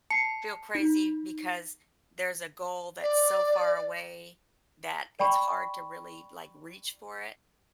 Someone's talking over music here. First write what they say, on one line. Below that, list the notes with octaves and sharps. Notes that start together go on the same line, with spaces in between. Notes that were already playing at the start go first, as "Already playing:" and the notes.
feel crazy because there's a goal that's so far away that it's hard to really, like, reach for it,
A5 C7 C#7
D#4
D5
D5 G5 B5 C#6